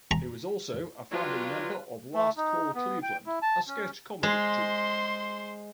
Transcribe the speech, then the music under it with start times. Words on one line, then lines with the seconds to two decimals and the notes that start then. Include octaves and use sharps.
He was also a founding member of Last Call Cleveland, a sketch comedy troupe.
0.11 A#5
1.12 F#3 D4 F4 G4 B4
2.14 A3
2.37 D#4
2.75 B3
3.03 G5
3.26 E4
3.42 A5
3.68 C#4
4.23 G#3 C5 C6